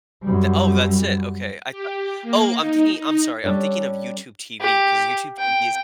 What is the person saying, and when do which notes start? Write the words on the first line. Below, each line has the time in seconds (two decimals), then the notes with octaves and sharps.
The oh, that's it, okay. I thought Oh, I'm thinking I'm sorry, I'm thinking of YouTube TV, 'cause YouTube TV is it
0.23 F#2 G3
1.71 G4
2.22 A#3
2.56 D#4
2.99 D#4
3.44 G3 C#4 D4 A4 C#5
4.60 G4
5.39 G5